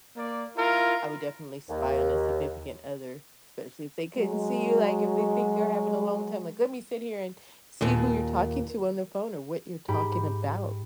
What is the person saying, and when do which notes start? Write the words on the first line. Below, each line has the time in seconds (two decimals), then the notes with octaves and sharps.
I would definitely spy on a significant other, especially if they couldn't see you, like, if they think they're having a long time, like, let me sit here and see who you're talking to on the phone or what you're talking about
0.17 A#3 D5
0.57 E4 F4 A#4
1.70 D#2
4.17 F#3 G#3
7.81 D#2 A#2
9.88 G#2 G4 G5 B5